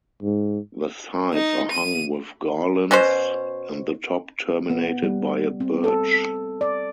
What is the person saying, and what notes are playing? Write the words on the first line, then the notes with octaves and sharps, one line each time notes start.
The sides are hung with garlands and the top terminated by a birch.
G#2
D#4
D#7
B2 C#4 F#4 C5
B3
G3
C4
A4
D5